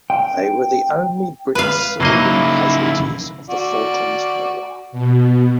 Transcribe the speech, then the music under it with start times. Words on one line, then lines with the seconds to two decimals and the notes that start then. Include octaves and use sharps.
They were the only British civilian casualties of the Falklands War.
0.10 G5
1.55 B4 F5
2.00 C#3 F#3 A#3 D#4 E4 D#5
3.49 F#4 D5
4.92 B2